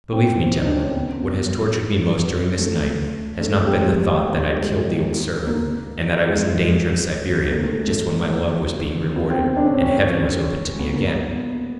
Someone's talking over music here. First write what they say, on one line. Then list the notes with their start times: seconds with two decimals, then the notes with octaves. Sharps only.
Believe me, gentlemen, what has tortured me most during this night has not been the thought that I'd killed the old servant, and that I was in danger of Siberia just when my love was being rewarded, and Heaven was open to me again.
0.12 C4
0.56 D#4
0.65 D4
0.76 C#4
0.85 C4
0.95 B3
2.59 A3
3.41 A3
3.54 G#3
3.65 G3
3.76 G#3
4.24 G#3
4.37 G3
4.51 G#3
4.64 G#3
5.47 A#3
6.28 G#3
7.51 A#3
7.63 A3
7.76 G#3
7.87 A3
9.16 B3
9.30 C4
9.44 C4
9.57 D4
9.65 C#4
9.74 C4
9.82 C#4
10.79 B3
10.94 A#3
11.07 B3